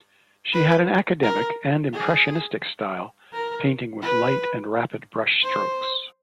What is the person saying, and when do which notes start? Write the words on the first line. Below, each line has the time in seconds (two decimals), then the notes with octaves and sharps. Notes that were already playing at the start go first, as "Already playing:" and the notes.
She had an academic and impressionistic style, painting with light and rapid brushstrokes.
0.53 B4
1.23 A#4
1.93 G#4
3.33 A#4
4.02 B4
5.43 C5